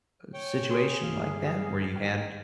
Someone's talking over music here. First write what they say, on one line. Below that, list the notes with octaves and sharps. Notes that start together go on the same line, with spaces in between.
situation like that, where you had,
C#5 G5 G#5
F#4 G#4 A4
G2 G3 F5
D#3 G5